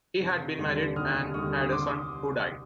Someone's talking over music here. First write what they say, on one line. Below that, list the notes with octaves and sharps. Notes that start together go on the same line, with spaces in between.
He had been married and had a son, who died.
F1
D#2 D3 G3
F1 D#6 F6
D#2 D3 G3 C#6 D#6
D#6
C2 C6 D6